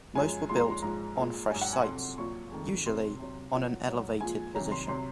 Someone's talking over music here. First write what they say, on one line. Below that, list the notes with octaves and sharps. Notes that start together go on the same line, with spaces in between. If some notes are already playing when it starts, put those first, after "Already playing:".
Most were built on fresh sites, usually on an elevated position.
F#2 F3 G#3 G#5
A#2 F3 G#3 C6
A#5
C6
C6
G#2 F3 G#3 A#5
A#2 G#3
G#2 F#3 G#5
F#5
G#5
F2 C3 F#3 C6
A#2 F#3 C#6
F2 D#3 G#3
C3 F#3 C6
C3 F#3
A#2 F#3 F#5
G#2 F#3
A#2 F3 G#3 G#5
C3 D#3 F#3 A#5
C6
C3 F#3 C6